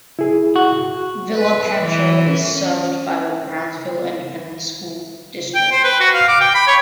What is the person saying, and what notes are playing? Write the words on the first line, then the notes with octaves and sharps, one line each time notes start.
Villa Pancho is served by the Brownsville Independent School District.
E4 G#4
F#4
B4
E3
C#4
G5
C5
B4
F#4
F5
D6
G5
B5
C#5